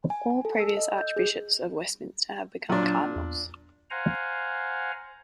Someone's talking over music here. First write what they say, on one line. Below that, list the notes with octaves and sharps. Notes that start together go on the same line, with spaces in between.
All previous Archbishops of Westminster have become Cardinals.
G#5
G#5
A4
E6
D#5
G6
G#4
A#2 F#3 D4
E2
C5 F5 F#5 G#5 A#5